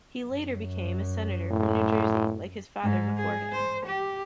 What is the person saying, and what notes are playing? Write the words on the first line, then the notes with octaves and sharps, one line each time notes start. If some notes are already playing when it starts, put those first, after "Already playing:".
He later became a Senator from New Jersey like his father before him.
F#2
A2
G#2
G#4
C5
G4